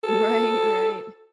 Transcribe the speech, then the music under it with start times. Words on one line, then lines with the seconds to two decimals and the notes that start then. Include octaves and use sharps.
Right, right.
0.04 A4